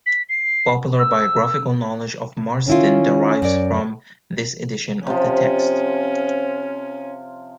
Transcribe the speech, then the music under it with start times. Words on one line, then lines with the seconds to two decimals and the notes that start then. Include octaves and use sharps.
Popular biographical knowledge of Marsden derives from this edition of the text.
0.06 B6
0.29 C7
0.98 E6
2.68 D#3 C#4 E4 F4
3.42 F#2 D5
5.07 C3 F3 C#4